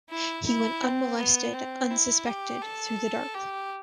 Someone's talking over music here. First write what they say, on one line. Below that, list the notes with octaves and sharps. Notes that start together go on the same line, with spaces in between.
He went unmolested, unsuspected, through the dark.
E4
E4
C4
B3
C4
E4
G4
A4
G4